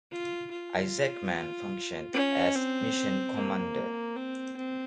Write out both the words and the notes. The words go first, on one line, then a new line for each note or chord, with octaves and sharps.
Isaacman functioned as mission commander.
F4
F4
C#4
C4
A#3
C4
C4